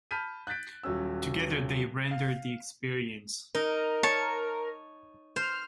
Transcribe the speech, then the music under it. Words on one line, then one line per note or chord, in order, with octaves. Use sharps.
Together they render the experience.
A5 B5 F6 G6 B6 D#7
F#6 G6 A6 B6 D7
D#1 F#3 C#4 E6
F5
D#4 A#4
C#5 A5
C5 F6